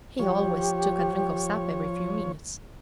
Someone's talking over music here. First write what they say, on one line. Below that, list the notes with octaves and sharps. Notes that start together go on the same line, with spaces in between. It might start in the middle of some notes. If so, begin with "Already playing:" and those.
He always took a drink of sap every few minutes.
F3 G4 C#5